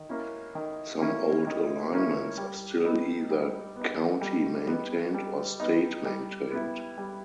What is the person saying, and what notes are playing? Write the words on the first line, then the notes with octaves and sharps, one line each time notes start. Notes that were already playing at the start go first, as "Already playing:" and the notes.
Some old alignments are still either county-maintained or state-maintained.
Already playing: D#3
A#3 C#4 E4
D#3
A#3 C#4 E4
D#3
A#3 C#4 E4
G3
B3 D#4
G3
B3 D#4
G3
B3 D#4
G3
B3 D#4
G3
B3 E4
G3